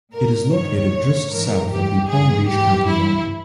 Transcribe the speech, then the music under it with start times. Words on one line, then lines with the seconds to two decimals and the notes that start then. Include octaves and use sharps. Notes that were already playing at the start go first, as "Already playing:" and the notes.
It is located just south of the Palm Beach County line.
0.13 A#2 A#4
0.52 G2 D#3 C#5
0.91 A#2
1.30 G#2 E3 A#4
1.69 G2 E3 G4
2.08 G2 E3 G#4
2.47 G#2 E3 G4
2.86 G2 E3 E4